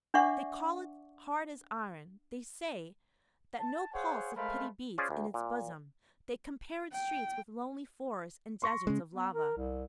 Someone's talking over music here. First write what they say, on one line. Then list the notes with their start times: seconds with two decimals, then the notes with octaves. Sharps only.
They call it hard as iron; they say that no pulse of pity beats in its bosom; they compare its streets with lonely forests and deserts of lava.
0.14 D4 D5 E5 F#5 C#6 D6
3.58 A5
3.93 G#4 C5 C#5 F5 F#5
4.35 G#3 A3 A#4 C5 F5 B5
4.98 C#4 F4 G#4 C5 D5
5.10 D2
5.34 A#2
6.92 G5
8.62 C6 C#6 A#6
8.87 C#3 G#3 C#4
9.15 B3
9.34 A#4
9.57 C2